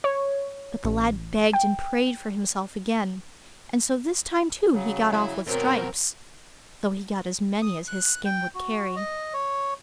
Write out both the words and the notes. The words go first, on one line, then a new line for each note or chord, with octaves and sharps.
But the lad begged and prayed for himself again, and so this time too he got off with stripes; though he got as many as his skin would carry.
C#5
A1
G5
C#3 F#3
E3 E4
F#2 B2 F#3 C4 A#4
D#6
F#6
G5
F#4
D#5
C#5